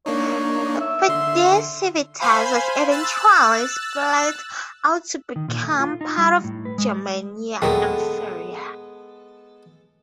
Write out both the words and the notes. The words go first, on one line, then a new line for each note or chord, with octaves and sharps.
But this civitas was eventually split out to become part of Germania Inferior.
A#3 D4 D#4 C#5
E5
D3 C6
C5 F5 G#5 B5 C6
E6 F#6 A6
D#3
A#2
A3
F4
D#4
G3
A2
B4
G#3
D#2 A#2 F#3 G#3 B3 A4 A#4 G5